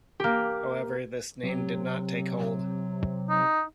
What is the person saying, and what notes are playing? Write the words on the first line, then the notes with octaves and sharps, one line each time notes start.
However, this name did not take hold.
A#3 G4
C3 F#3
D#4